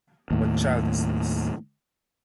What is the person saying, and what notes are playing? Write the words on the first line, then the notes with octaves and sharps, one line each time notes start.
What Child Is This?
D#2 A2